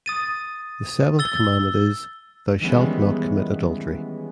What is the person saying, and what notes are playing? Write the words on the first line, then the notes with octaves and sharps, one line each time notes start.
The seventh commandment is, Thou shalt not commit adultery.
D#6 A6 D#7
E6 A6 G7
D#3 E3 G3 G#3 B3 C#4